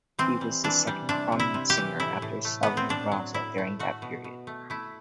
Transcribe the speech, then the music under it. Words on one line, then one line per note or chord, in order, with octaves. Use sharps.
He was the second prominent singer after Saleem Raza during that period.
E3 C4
G3
E3 D4
G3
C3 D4
C3
E4
C3
G4
E3
A2 E4
A2
A3
A2 B3
C4
A2 D4
F#3
A2 E4
A3
A3 F#4
B2
B2
A3
A3 E4